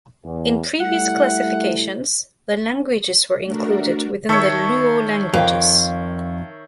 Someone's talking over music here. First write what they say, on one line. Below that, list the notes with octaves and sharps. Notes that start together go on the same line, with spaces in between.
In previous classifications, the languages were included within the Luo languages.
E2
G3 A3 E4 F#5
A3 D4 F#4 A#4
D#3 C#5 E5 A5 C#6
F2 A#4 F5 G5